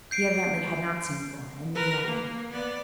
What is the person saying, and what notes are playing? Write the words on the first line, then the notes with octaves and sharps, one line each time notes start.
"He evidently had not seen Thorn, and knew nothing."
G6 C7 D7
A#4 B4
A#3
B3 D5